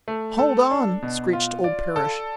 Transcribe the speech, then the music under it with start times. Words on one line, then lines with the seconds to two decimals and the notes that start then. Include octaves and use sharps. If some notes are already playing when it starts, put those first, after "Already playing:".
"Hold on!" screeched old Parrish.
0.08 A3
0.39 A4
0.71 D4
1.02 B2
1.33 F4
1.64 D5
1.96 A4